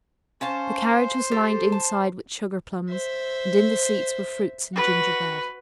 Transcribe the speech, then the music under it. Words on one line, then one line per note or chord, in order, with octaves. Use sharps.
The carriage was lined inside with sugar-plums, and in the seats were fruits and gingerbread.
C#4 C5 F5 A5
G4 A4
A5
C5 E5
F#4 B4